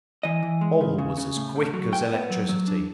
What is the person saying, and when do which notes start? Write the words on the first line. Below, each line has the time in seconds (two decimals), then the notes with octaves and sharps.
All was as quick as electricity.
0.23 E3 D#5
0.43 E3
0.61 G#3
0.81 C#3
0.99 C#3
1.17 C#3
1.36 A2
1.56 A2
1.73 F#3
1.92 A2 G5
2.11 B3
2.30 F#3
2.49 F#3
2.67 D4